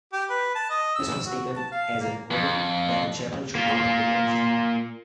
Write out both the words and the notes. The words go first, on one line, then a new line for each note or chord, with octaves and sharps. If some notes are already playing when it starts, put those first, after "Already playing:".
This was taken as an omen that the chapel should not be demolished.
G4
B4
A5
D#5
E6
F#4
A5
F5
A#3
F2
A#3 F4